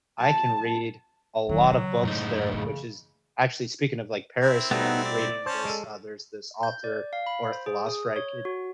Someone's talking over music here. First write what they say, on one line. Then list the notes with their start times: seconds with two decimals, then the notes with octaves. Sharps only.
I can read a lot of books there, which is actually speaking of like, Paris, I was reading this uh, there's this author, or a philosopher, I could
0.19 A5
1.49 E1 D#3 F#3
1.72 C#3
2.03 F#2 A2 D#4
2.30 G#2
2.54 C#3 E3
4.41 C4 E4
4.71 B2 G3 A3 B3 D#4
5.05 D5
5.46 C#4 C5 A5
5.65 G#3 A4
6.63 G6
6.84 D5
7.13 F5
7.27 B5
7.52 C5
7.66 G#4
7.86 D#6
8.16 C#5
8.45 F#4